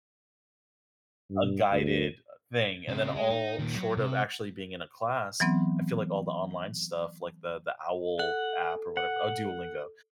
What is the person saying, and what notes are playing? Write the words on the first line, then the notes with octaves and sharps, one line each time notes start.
a guided thing, and then all short of actually being in a class, I feel like all the online stuff, like the the owl app or whatever Oh, Duolingo,
G2
D2
C#3 C4
G#3
D#4
A#2 D#3
F#3
C3
E3 F#3 B3 C4
A4 F#5
F#5